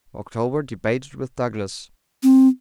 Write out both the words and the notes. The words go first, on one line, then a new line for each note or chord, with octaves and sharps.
October, debated with Douglas.
C4